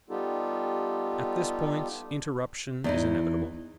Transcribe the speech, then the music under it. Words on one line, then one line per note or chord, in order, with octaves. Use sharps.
At this point, interruption is inevitable.
G3 B3 D#4 F4 G4 A4
E2 E3 D#4